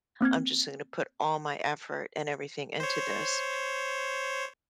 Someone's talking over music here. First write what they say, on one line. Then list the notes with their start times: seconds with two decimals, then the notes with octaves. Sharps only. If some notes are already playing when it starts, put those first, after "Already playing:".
I'm just gonna put all my effort and everything into this."
0.21 A#3 C4 F6 G#6
2.80 C5 C#5